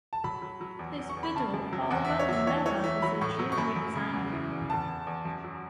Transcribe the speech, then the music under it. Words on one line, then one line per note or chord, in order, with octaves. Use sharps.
His widow Paula Nummela is a jewellery designer.
A5
F#3 B5
F#3
F#3
E2
E2
C#6
E2
B5
C#3 A5
F#2
F#3
E2 F#5
E5
E2
C#5
F#3 E5
E3 C#5
E3 C#5
E3 E5
F#3 B5
A2 C#6
F#3
C#6
F#2 B5
F#2
C#3
E2
E3
E2
E2 A5
E2
E2
F#2
F#3